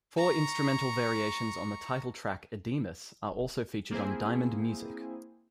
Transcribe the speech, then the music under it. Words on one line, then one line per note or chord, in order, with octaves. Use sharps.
Four instrumental variations on the title track "Adiemus" are also featured on "Diamond Music".
A#5 C#6
A#3 C4 E4 G#4 C5 G#5